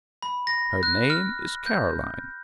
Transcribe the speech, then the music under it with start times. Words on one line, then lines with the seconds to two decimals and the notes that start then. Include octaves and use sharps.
'Her name is Caroline.
0.22 B5
0.47 A#6
0.83 F#6
1.10 F6
1.66 G6